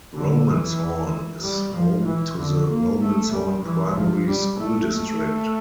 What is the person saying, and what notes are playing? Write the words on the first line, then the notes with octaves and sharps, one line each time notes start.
Romanshorn is home to the Romanshorn primary school district.
D3
E3
G3
F3
E3
D3
A#3
A3
G3
E3
F3
G3
A3
A3